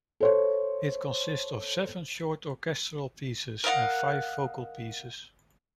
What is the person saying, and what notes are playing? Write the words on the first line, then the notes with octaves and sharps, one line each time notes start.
It consists of seven short orchestral pieces, and five vocal pieces.
A4 C5 C#5
A#4 D#5 F5 F#5